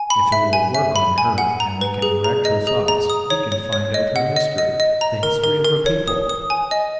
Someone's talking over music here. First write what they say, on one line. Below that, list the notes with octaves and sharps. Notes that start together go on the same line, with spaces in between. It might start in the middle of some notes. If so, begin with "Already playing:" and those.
If it will work on her, and we can direct her thoughts, we can find out her history, the history of her people!
Already playing: G#5
B5
E5
G#5
E5
B5
G#5
F#5
A#5
B4
G#4
A#5
D#5
G#4
A#5
D#6
C#5
C#5
C#5
D#5
F#5
D#5
D#5
D#5
A#5
A#4
A#4
A#4
C#5
D#6
D#6
G#5
D#5